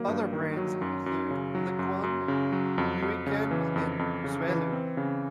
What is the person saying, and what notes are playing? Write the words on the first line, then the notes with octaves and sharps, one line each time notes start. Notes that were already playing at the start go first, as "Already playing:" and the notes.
Other brands include Liquan, Huiquan and Xuelu.
Already playing: D#3 F#3 A#3
G2
D#3
F#3
F#2
F#2
C#3
F#3
F#2
F#2
C#3
F#3
F2
F2
C#3
E3
F2
F2
C#3
E3
C4
C#3